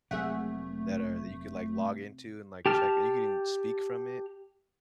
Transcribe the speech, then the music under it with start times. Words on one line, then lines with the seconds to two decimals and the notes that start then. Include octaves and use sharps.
that are that you could, like, log into and, like, check and you can even speak from it.
0.11 F1 C3 F#3 A3 A#3 G#4 E5 F#5
2.66 G4 A5 F6